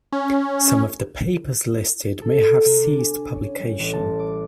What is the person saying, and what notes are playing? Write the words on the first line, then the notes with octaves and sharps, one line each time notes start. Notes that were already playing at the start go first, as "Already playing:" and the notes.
Some of the papers listed may have ceased publication.
C#4
A4
C3
D4
G#5
C#4
G3
A1
A5
D6